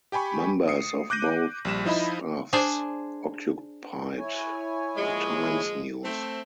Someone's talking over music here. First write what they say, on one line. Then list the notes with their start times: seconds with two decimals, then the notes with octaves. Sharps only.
Members of both staffs occupied the Times-News.
0.12 G4 G5 G#5 B5 C#6
0.68 D#6 C7 C#7
1.10 D6 F#6 G6 A#6 D#7
1.65 A#1 G3 E7
1.85 F3 D#4 E4 D#5 B5
2.53 D4 G#4 C5
4.18 E4 C#5 G#5
4.96 A#2 F3 G#3
6.04 A3 C4